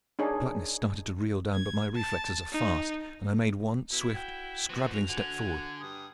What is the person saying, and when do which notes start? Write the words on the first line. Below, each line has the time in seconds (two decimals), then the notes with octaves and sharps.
The blackness started to reel down, but my reflexes are fast and I made one swift, scrabbling step forward.
0.19 D4 D#4 G#4 C#5
1.54 G#6
1.95 A5
2.52 D#4
3.92 B2 E4
4.14 F#4 G5
4.69 F3 B3 F#4
4.93 B2 F7
5.09 D3 F#4 G#5
5.80 G2 D#6